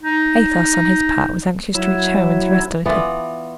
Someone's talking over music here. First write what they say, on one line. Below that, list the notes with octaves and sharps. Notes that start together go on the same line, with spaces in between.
Athos, on his part, was anxious to reach home and to rest a little.
D#4
F#3 E4
E3 B3 F4 D5